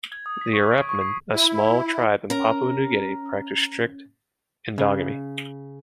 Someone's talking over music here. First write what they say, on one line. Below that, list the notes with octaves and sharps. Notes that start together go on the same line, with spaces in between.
The Urapmin-a small tribe in Papua New Guinea-practice strict endogamy.
G#6
D#6
B6
C#6
D7
C#6
C7
E4
C#4 A#4 A#5
C#3